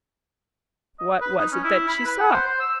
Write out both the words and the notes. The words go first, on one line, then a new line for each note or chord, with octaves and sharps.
What was it that she saw?
D#5
B4
D#4
C#4
E4
B5
B4
F#5
C5
C5
E6